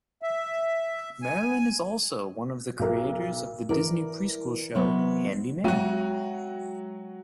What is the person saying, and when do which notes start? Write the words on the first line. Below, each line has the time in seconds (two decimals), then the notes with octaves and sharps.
Marilyn is also one of the creators of the Disney preschool show "Handy Manny".
0.22 E5
1.22 G#5
2.79 B1 A#4
3.69 E3 A#4 D5
4.75 C3 F#3 B3
5.64 F#3 G#3 F#4 G5